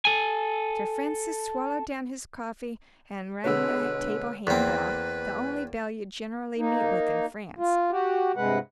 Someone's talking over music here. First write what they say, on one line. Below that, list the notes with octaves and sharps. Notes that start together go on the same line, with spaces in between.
Sir Francis swallowed down his coffee, and rang the table hand-bell--the only bell you generally meet with in France.
A4 G#5
B2 D3 G#3 B4 C#5 E6
E2 A#3 C4 B4 F#6 B6
A#3 D#4
F4
F#4 G4
G2 C3 G#3 B4 F#5